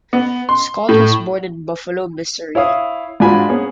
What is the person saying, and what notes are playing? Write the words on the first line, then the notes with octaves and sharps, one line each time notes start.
Scott was born in Buffalo, Missouri.
B3
C6
A2
E4 C#5 F5 D#6
G#2 D4 F4 F#4 G#5 B5
A#3 B3 C#4 G#4